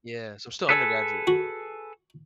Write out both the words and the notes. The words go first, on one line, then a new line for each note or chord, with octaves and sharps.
Yeah, so I'm still undergraduate.
G#4 A4 B4
F#4